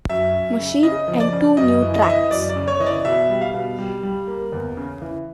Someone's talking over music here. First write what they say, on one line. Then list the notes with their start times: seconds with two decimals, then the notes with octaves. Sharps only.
Machine, and two new tracks.
0.09 F#2 E5
0.34 F#2
0.59 C#3
0.83 C#3 D#5
1.08 F3
1.20 D5
1.32 C#3
1.57 F#2 D#5
1.82 E3
1.94 D#5
2.02 E5
2.06 E3 D#5
2.31 F#2 D5
2.49 D5
2.56 C#3
2.68 C#5
2.80 E3 D#5
2.86 D5
3.05 B2 E5
3.29 G3
3.41 F5
3.54 B2
3.79 G3
4.03 G3
4.27 A#3
4.52 E2
4.77 C#3
5.01 E3